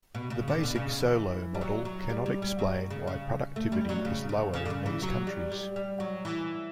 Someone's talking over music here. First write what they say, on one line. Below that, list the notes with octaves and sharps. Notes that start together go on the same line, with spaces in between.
The basic Solow model cannot explain why productivity is lower in these countries.
B2
C#3
D3
B2
C#3
E3
G3
F#3
F#3
G3
G3
G3
F#3
C#3
C#3
A3
G3
F#3
C#3
C#3
C#3
D3
C#3
E3
F#3
G3
G3
G3
F#3
E3